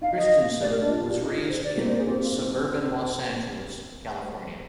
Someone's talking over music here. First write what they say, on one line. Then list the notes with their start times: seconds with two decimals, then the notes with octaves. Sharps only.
Christensen was raised in suburban Los Angeles, California.
0.01 D#4 F5
0.17 D#5
0.60 G4 D5
0.70 A#4
0.80 D4
0.89 F4
1.00 F4
1.09 G4
1.19 D#4 F4
1.48 C5
1.63 D5
1.77 A#3 C5
1.88 C5
1.97 G#4
2.07 C4 G4
2.22 F4
2.36 D#4